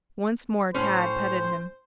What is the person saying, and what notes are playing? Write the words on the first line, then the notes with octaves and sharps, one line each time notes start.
Once more Tad petted him.
A2 C#4 C5